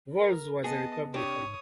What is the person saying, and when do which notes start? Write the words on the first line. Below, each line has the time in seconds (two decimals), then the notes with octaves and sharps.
Volz was an Republican.
0.18 A#4
0.64 B3 G#4 D#5 A5
1.14 C3 D4 G4 C#5 D#6